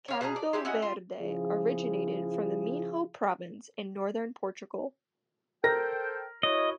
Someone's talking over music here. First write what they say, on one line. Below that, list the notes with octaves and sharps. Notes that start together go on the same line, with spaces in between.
"Caldo verde" originated from the Minho Province in northern Portugal.
C#5 F5
B2 G#4 A5 A#5
D5
G#3 E4 G4
C#4 E4 F#4 D#5
F4
C#3 F3 E4 F4 G#4
A4 A#4 C5 G5 A#6
E4 F#4 C#5 D#5